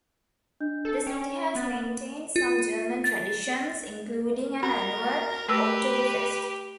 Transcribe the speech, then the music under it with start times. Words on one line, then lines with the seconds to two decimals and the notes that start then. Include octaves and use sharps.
The city has maintained some German traditions, including an annual Oktoberfest.
0.60 D4 D#5 G6
0.85 A4
1.07 C#4 G5 D7
1.55 B3 B5 A6
2.36 F4
3.04 A6
4.63 F#4 A#4 B5
5.48 A3 G4 A#4 B4 E6